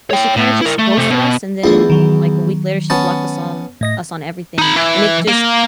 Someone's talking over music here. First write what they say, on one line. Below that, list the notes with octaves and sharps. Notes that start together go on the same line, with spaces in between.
but she kinda just ghosted us and then, like a week later, she blocked us on us on everything, and and it just
C#5 G5
A2
E4 A#4
A3
C3 A3
B2
E2 A3 D4 F4
D#3 F#3
B3 C#4 A5
A2 D#5 A#6
D#4 B5
E3
A#3